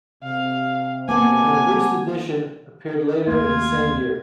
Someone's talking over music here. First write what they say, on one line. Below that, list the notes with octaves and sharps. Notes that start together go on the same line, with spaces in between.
An abridged edition appeared later in the same year.
C3 F5
A#3 B3 F#5 G#5 A5 D6
D#2 A3 A#3 F4 G#6